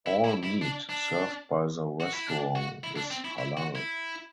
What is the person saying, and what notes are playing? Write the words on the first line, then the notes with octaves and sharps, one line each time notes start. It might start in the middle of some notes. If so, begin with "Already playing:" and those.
All meat served by the restaurant is halal.
E4
E4
E4
D4
D4
F#4
E4
D4
F#4
E4
D4
C4
E4
E4
F#4
E4